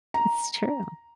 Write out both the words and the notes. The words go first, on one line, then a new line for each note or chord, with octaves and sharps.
it's true.
A#5